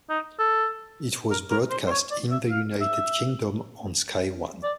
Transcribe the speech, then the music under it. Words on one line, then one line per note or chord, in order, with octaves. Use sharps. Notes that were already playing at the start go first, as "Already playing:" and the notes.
It was broadcast in the United Kingdom on Sky One.
D#4
A4
A#4
A#4
C5
C5
C#5
D5
E5
F5
E5
D5